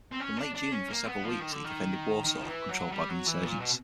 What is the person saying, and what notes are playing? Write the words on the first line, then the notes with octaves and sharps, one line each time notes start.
From late June, for several weeks, he defended Warsaw, controlled by the insurgents.
C4
C#4
D4
D4
C#4
A#3
B3
F3
D#3
D3
D#3
D#3
F3
E3
F#3
G3
F#3
E3
A#2
B2